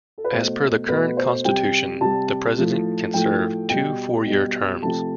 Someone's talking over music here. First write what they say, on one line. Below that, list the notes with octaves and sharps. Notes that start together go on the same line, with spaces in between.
As per the current Constitution, the President can serve two four-year terms.
A4
B4
B2 A3 C5
B2 A3 B4
C5
C3 G3 G5
C3 G3 A5
A2 F3 A3
A2 F3 A3 G5
B2 G3 G5
B2 G3
C3 F3 A3 A5